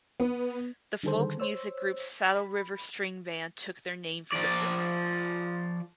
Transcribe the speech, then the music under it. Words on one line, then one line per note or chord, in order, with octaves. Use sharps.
The folk music group Saddle River String Band took their name from the film.
B3
D3 D#3 G3 G#4 A4 C5
C5 C#5 E6
B5
F3 D5